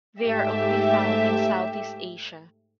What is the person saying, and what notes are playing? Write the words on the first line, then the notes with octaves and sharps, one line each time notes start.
They are only found in Southeast Asia.
G#2 A3 G4 E5